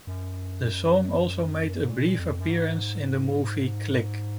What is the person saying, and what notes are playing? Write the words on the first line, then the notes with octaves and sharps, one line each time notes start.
The song also made a brief appearance in the movie "Click".
F#2
G#2
A#2
F2
F#2
G#2